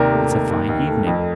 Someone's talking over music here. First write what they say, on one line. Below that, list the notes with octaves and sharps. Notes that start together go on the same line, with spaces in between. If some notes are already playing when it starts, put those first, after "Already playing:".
"It's a fine evening."
Already playing: D#2 C3 A#4 D5
A3
D#2
D#2
D#2
A3
F2